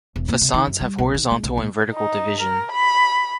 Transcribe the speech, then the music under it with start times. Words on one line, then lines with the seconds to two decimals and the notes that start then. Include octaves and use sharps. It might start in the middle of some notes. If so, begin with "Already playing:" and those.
Facades have horizontal and vertical division.
0.16 E1
0.28 A#2
0.41 C3
0.54 D#3
0.67 F#2
0.81 G3
0.98 B1
1.14 D#3
1.31 G#3
1.43 B1
1.57 A#2
1.94 D#4
2.41 A#4
2.72 B5